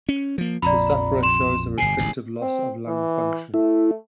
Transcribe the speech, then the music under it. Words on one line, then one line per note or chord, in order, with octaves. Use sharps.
The sufferer shows a restrictive loss of lung function.
C#4
F3 A#3
A#1 F2 D5 A#5 B5
C6 E7
G1 B2 G#5 C7
D1 A1 G#2
C4
E3
A3 E4